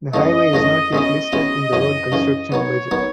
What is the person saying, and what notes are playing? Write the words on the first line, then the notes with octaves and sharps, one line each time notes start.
The highway is not yet listed in the road construction budget.
F#2 C#3 E3 A3 D#5
F#2 C#3 E3 A3
B2 G#3 C#4 E4 D#5
B2 G#3 C#4 E4
F#2 C#3 E3
F#2 C#3 E3
D#3 F#3 B3 C#5
D#3 F#3 B3